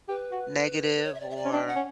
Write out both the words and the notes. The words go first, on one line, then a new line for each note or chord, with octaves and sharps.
negative or
G4 B4
F#4
B4
C#5
E5
D5
E5
D5
C#4
D4 G5
F#5
C#4